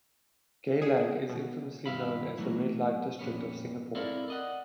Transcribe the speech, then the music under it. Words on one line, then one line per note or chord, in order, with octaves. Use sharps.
Geylang is infamously known as the red-light district of Singapore.
G#4
B2
G2 D#3 E5 F5 B5
E3 F#3 A3 E4
F2 A#2 B3 C#4
C4 E4 A4 A#4 D5 F5
D5 D#5 F#5